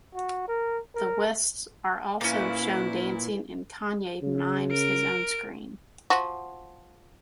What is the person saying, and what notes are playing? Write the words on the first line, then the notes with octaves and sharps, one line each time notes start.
The Wests are also shown dancing and Kanye mimes his own scream.
F#4
A#4
A#4
A#2 E3 F3 A#3 C#4 E4 B4
C#3
A#4 D7
F3 F#4